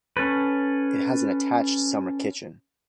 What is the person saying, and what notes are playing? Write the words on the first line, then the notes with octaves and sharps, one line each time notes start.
It has an attached summer kitchen.
C#4 A4 B4